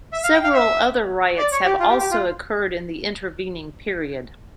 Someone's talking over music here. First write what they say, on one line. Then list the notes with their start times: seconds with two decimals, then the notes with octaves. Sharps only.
Several other riots have also occurred in the intervening period.
0.13 E5
0.24 F5
0.34 G5
0.44 F5
0.54 E5
1.38 D5
1.52 C#5
1.65 G4
1.80 F4
1.89 G4
2.00 G4
2.11 F4